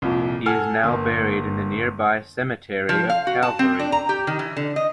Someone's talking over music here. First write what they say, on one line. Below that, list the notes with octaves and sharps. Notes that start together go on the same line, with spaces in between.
He now is buried in the nearby cemetery of Calvary.
C2 F2 A#2
A4 F#5 G#5 F6
G1 A#3
F3
F5
F#4
A5
C4
D4
A#5
G4
D#3
E3
D3
D#5